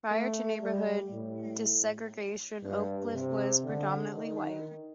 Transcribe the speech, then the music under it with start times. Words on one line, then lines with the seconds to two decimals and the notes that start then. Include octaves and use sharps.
Prior to neighborhood desegregation, Oak Cliff was predominantly white.
0.11 A3
0.62 G3
1.11 A2
2.63 G2
3.14 C3
3.64 D3
4.14 D#3